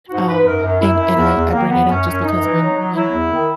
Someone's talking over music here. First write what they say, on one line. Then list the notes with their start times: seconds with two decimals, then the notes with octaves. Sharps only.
Um, and and I I bring it up just because when when,
0.09 G#2 F#4
0.28 G#2 B4
0.45 F#2 A#4
0.63 F#2
0.81 F#2 E4
0.99 F#2
1.16 E2
1.34 E2
1.52 D#3 A#3
1.70 E2 B3
1.88 F#2 C#4
2.06 F#2 C#4
2.24 F#2 D#4
2.42 E3
2.59 F#3
2.77 F#3
2.95 F#3 E4
3.13 E2
3.31 D#3